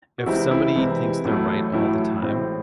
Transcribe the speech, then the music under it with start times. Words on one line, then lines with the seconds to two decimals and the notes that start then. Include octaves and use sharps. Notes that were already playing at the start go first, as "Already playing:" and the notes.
If somebody thinks they're right all the time,
0.18 F#4
0.26 C2 C3 E3 G#3 C4 E4
0.51 E4
0.75 C2 C3 E3 G#3 C4
1.25 A1 A2 F#3 A3
1.73 A1 A2 F#3 A3 E4
2.22 A1 A2 G#3 C4